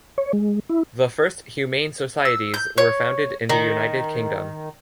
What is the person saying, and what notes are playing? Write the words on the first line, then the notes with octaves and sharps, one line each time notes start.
The first humane societies were founded in the United Kingdom.
C#5
G#3
E4
E6
G6
C#5
D#3